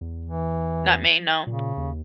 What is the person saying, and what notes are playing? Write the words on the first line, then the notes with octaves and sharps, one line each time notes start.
Not me, no,
E2
E3
A#2 C#3
D#2